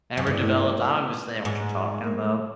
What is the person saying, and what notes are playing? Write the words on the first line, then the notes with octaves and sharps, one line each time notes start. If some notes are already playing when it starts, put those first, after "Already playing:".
ever developed, I understand what you're talking about.
F#2
G2 E3
A3
A#3
A#3
B3
G#2
A#3
A3